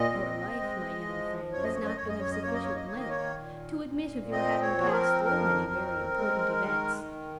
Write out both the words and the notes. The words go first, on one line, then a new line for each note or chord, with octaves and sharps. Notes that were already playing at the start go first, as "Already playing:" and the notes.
"Your life, my young friend, has not been of sufficient length to admit of your having passed through any very important events."
Already playing: A#2 D#5
C4
G#3
F3
F#2 C#5
D#5
C#5
D#5
F#2 C#5
D#5
C#5
D#5
A#3 C#5
D#5
C#5
D#5
D#3 C#5
D#5
C#5
A#2
A#2
C4 D#5
C#5
F3 F#4
G#4
A#4
F2 A#4
C4
G#3
D#3